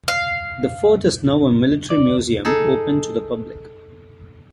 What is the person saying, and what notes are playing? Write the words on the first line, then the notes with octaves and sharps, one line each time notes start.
The fort is now a military museum open to the public.
F5
D5
D#4 G#4 A4